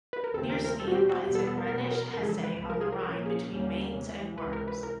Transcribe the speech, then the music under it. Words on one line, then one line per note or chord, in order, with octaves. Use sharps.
Nierstein lies in Rhenish Hesse on the Rhine between Mainz and Worms.
B4
A#4
D#2 C#3 F3 A3 C4 A4
A#4
A#4
B2 G3 C4 A4
F#4
G4
F#4
E2 B2 G3 B3 G4
A4
A4
A#4
B2 F#3 B3 A#4
B4
A#4
A#4
F2 C#3 E3 G#3 A#4
G#4
A4
B4
C2 C3 F3 B4
A#4
G#4
A#4
A#2 F3 A#3 C#4 A#4
G#4
D#2 D3 G3 A#3 C#4
C3 E3 G#3
C#2 C3 E3 B4
A#4
B4
A#4